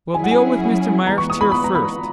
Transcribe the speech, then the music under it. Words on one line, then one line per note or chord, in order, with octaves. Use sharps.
We'll deal with Mr. Myerst here first.
F#3 C#4 E4 G#4 G#5
F#5
G#5
E3 G#3 B3 A#5
C#6
D#6
B5
B5
A#5
B5